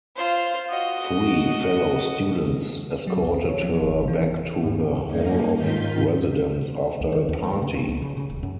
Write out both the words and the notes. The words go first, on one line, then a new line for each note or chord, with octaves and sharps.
Three fellow students escorted her back to her hall of residence after a party.
F4 C5
F#4 D#5
F#3
C2
C#5
F3
G1
E3
G#2
G2 A#3 C#4 D#4
G#2 D#3 D#4 F4 G6 B6
C#2
D#3
D#2
A3
C#3
C#3
C#2
C#3
C#3
D#1
F#2